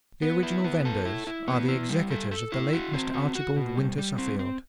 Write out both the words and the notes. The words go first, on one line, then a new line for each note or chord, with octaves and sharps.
The original vendors are the executors of the late Mr. Archibald Winter-Suffield.
B3
E4
B3
A4
E4
E4
B3
E4
G3
A4
A4
E4
F#4
C4
F#4
F#4
B2
G3
G3
C4
C4